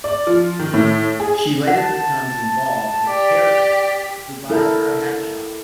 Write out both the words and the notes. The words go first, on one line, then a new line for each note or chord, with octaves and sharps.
She later becomes involved with Karekin, who buys her a hat shop.
D5
F3
D#3
A2
G#4
F#5 A5
G4 D5
E4 A4 A#4